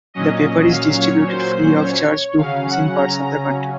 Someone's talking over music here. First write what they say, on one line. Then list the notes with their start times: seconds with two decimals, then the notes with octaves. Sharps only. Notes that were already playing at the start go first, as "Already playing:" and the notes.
The paper is distributed free of charge to homes in parts of the country.
0.14 A#2 F#3 C#4 D#5
0.71 F5
0.98 C#5
1.27 C5
1.82 C#5
2.38 C#3 F#3 C#4 F5
2.67 F#5
2.95 A#5
3.22 A#5